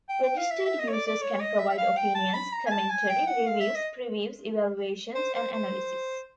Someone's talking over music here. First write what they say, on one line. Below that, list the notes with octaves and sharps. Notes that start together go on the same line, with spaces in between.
Registered users can provide opinions, commentary, reviews, previews, evaluations and analysis.
G5
G5
F5
E5
E5
D#5
C#5
D5
D5
C#5
D#5
E5
E5
F5
G5
A5
B5
A#5
G#5
A5
G#5
G5
F#5
F5
E5
D#5
C5
C5
C5